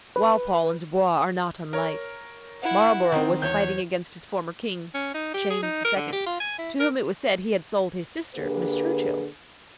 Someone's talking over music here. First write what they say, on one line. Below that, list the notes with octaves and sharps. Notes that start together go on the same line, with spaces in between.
Walpole and Dubois are not unlike. Marlborough was fighting against his former king, James II., to whom it was said he had sold his sister, Miss Churchill.
B4
A#4 C#5
E4 F#5
D#3 C4
E2 C#5 G6
C#4
D#4
G4
G#4
D#4
A#4
D3
G4
F4
G#5
E4
A#4
D3 A#3 G4 G#4 B4